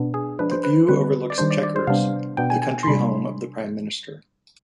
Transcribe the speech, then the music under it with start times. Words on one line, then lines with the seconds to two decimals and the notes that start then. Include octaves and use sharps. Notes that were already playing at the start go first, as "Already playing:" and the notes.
The view overlooks Chequers, the country home of the Prime Minister.
Already playing: B2 B3 D4
0.14 G#4
0.39 F3 G#3 D4 B4
0.51 C5
0.64 B4
0.88 D3 G3 C4 B4
1.30 D5
1.38 D#3 G3 D4 C5
1.51 D5
1.63 D5
1.76 C5
1.87 C3 G3 B3 D4 F5
2.37 B2 B3 D4 G5
2.50 G#5
2.62 G#5
2.83 C6
2.87 C3 G3 D4 B5